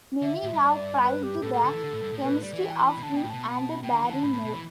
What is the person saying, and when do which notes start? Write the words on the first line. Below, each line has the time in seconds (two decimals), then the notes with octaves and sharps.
Many have praised the chemistry of him and Barrymore.
0.22 D3 E5
0.43 A2
0.53 G2
0.63 D5
1.03 B4
1.23 G4
1.42 A2 A4
1.53 A2
1.63 D3
1.73 E3
1.83 D3
1.93 A2
2.02 G2
2.13 A2
2.23 B2 B4
2.33 A2
2.42 G3 D5
2.53 E3
2.63 G5
2.76 B5
2.89 B5
2.97 B2
3.03 D3 A5
3.14 B2 G5
3.23 A2
3.30 B2 A5
3.43 B5
3.56 A5
3.70 B5
3.83 B2 G5
3.93 D3 B5
4.03 E3
4.10 D3 A5
4.23 A2 B5
4.33 A2
4.44 B2
4.54 E3